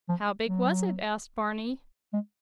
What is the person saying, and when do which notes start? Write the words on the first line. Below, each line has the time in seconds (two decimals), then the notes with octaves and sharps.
"How big was it?" asked Barney.
0.09 F3
0.46 F#3
2.13 G#3